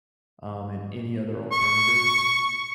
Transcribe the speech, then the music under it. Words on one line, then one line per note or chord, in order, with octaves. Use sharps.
um, and any other alternatives
C#6